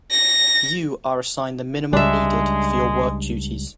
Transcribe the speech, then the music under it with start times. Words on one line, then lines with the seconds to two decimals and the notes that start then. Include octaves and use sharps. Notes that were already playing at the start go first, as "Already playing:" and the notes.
You are assigned the minimum needed for your work duties.
0.11 A#6
1.93 C#2 G3 G#3 D4 E5